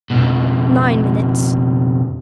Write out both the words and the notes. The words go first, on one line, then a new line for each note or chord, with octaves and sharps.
Nine minutes.
F2 B2